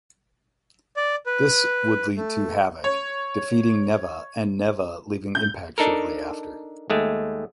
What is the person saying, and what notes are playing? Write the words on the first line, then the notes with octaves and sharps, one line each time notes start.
This would lead to Havok defeating Nevaeh and Nevaeh leaving Impact shortly after.
D5
B4
A3
C#5
G6
D4 D#4 A4 A#4
D#2 G#3 A3